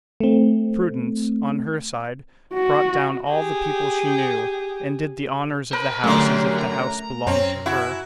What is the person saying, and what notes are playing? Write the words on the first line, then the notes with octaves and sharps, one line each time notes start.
Prudence, on her side, brought down all the people she knew, and did the honours of the house as if the house belonged to her.
A3 C4
F#4
G4 G#4
A#4 C5 B5
F#2 D3 F#3 G3 A3
A#5
F#2 C4 C#4
E4 F#4 G#5